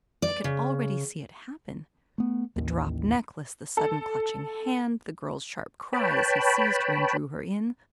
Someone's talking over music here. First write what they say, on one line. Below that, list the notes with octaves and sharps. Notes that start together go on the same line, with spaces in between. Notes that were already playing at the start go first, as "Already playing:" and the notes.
I could already see it happen--the dropped necklace, the sudden clutching hand, the girl's sharp cry as he seized her and drew her in.
D5
C#3
A3 B3
A1 D#2
A4
B4 C#5 G5 A5 B5